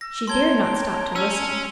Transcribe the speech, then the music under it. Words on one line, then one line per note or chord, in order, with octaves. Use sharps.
She dared not stop to listen.
E6 A#6
C#5 G5 A5 A#5 C6 G#6 G7
C#4 E6